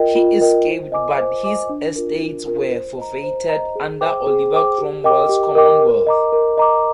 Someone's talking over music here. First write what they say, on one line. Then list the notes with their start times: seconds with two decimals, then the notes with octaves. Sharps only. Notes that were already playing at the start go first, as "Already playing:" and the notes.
He escaped but his estates were forfeited under Oliver Cromwell's Commonwealth.
Already playing: F4 A#4 D#5 G5
0.16 F4
0.41 A#4 D#5 G5
0.67 C5
0.92 D#5 G#5 D6
1.18 C5
1.44 D#5 G#5 D6
1.69 D4
1.96 F4 A#4
2.21 D4
2.47 F4 A#4
2.72 C5
2.98 D#5 A#5
3.24 C5
3.49 D#5 A#5
3.76 G#4
4.01 C5 G5 D6
4.27 G#4
4.52 C5 G5 D6
4.78 G4
5.04 A#4 D#5 G5 D6
5.29 G4
5.55 A#4 D#5 G5 D6
5.81 A#4
6.07 D#5 A#5 D6
6.32 A#4
6.58 D#5 A#5 D6